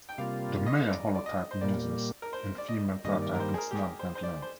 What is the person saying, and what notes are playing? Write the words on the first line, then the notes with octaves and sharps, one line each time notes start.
The male holotype measures and female paratype in snout–vent length.
G5
C3 G3 A#3 F4 F5
D#5
D5
D5
D#5
C5
A#2 G3 A#3 D5
A#4
C5
D5
D#5
G2 D#3 G3 A#3 D#5
D5
A#4
C5
G#4
A#4
G4
G#4
C5
C5
D5
C5